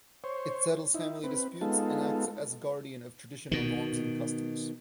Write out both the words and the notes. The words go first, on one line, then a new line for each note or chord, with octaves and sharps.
It settles family disputes and acts as guardian of traditional norms and customs.
C5 C#5
D#4 E4
C4 B4
G#3 B3 D#4 F4 A4
B2 D#3